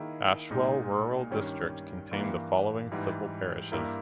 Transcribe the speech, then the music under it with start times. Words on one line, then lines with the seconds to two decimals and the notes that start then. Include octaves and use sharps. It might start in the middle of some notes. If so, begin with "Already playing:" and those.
Ashwell Rural District contained the following civil parishes.
Already playing: D#3 A#3 E4 G#4 D#5
0.50 B1 A#2 G#3 D#4 G4
1.31 G2 D#3 G3 C#4
2.11 G2 E3 A#3
2.92 G#2 E3 G3
3.72 G2 G3 A#3 E4 A#4